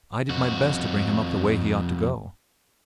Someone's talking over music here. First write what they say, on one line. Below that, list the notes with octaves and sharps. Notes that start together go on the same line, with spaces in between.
I did my best to bring him up the way he ought to go.
F2 F#4